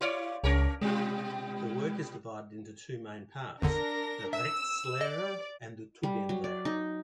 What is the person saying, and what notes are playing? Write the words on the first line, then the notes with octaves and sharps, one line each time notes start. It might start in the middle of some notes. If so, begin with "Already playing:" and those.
The work is divided into two main parts, the "Rechtslehre" and the "Tugendlehre".
E4 C#5 D5
C#2 C#4 A#4 C#5
B2 G3 G#3 F4
G#1 E2 D3 D4 A#4 A#6
E5 E6
D5 D#5
G3
F#3
D5
D#4